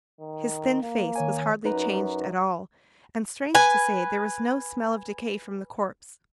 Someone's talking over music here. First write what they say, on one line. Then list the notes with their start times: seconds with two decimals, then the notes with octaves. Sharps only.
His thin face was hardly changed at all, and strange to say there was no smell of decay from the corpse.
0.20 D#3
0.82 A#3
1.16 D#3 C#5 G#5
1.65 F#2 D#4 B4 A#5
3.55 B4 G#5